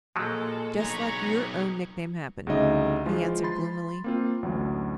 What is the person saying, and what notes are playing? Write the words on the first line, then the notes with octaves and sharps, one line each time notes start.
"Just like your own nickname happened," he answered gloomily.
A#2 F3 F#3 G#3 A4
B1 G#4 A#5 B5 C#6
D2 C#3 G3 D#4 D#5 E5
E3 F3 G#3 F4
B5 C6 A6
A#3 C4 F4
A1 D2 F#3